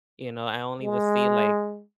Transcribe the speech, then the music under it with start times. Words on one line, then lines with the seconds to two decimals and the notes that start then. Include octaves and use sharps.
you know, I only would see, like,
0.82 G#3